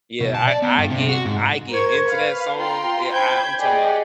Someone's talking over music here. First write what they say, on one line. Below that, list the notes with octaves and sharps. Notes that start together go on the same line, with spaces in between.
Yeah, I I get I get into that song, I I I'm talking 'bout
B2
A5
D5
B3
G2
C3
F#4
G#2
A#4 C5 C#6 G#6
B4 F5
F4 G5 A#5 C6
C5 G5 B5 G6 G#6
G4 G#4 D5 D#5 F#5 G5